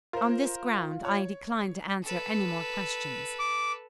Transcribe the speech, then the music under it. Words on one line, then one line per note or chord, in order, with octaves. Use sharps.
On this ground, I declined to answer any more questions.
F4 A#4 C5
C#5
A4 B4
D6